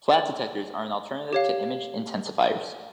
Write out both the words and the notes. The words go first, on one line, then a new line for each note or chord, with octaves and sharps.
Flat Detectors are an alternative to Image Intensifiers.
A6 F#7
G4 C#5 F5